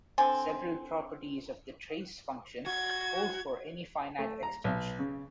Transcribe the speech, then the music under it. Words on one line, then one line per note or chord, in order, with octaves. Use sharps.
Several properties of the trace function hold for any finite extension.
D3 C4 G#5
F#4 G#6
A3
A#5
B1
C#3